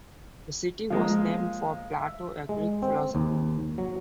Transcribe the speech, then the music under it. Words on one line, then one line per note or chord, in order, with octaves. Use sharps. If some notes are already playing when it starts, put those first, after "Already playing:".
The city was named for Plato, a Greek philosopher.
F3 G#3 A#3 F5
E5
G#3
C4
D#2
F#3